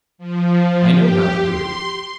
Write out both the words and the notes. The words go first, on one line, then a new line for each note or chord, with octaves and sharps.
I know how to do it.
F3
G4
C6